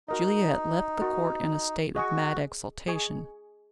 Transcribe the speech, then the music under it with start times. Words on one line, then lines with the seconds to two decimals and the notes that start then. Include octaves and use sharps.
Juliette left the court in a state of mad exultation.
0.08 D#4 F#4 A#4 D#5
1.02 F#4 A#4 D#5
1.95 F#4 G#4 D#5 G#5 C#6
2.88 G#4 D#5 G#5 C#6